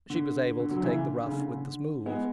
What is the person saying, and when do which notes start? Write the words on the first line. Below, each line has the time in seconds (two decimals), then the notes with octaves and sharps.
She was able to take the rough with the smooth.
0.10 D3
0.60 D3
0.71 D3 F#3
0.83 C#3 E3
0.96 D3
1.14 D3
1.26 C#3
1.33 D3
1.42 C#3
1.50 D3
1.61 D3
2.06 G#3 B3